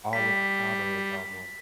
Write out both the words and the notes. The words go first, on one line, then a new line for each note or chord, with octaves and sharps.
all of the powder is almost
G3 B6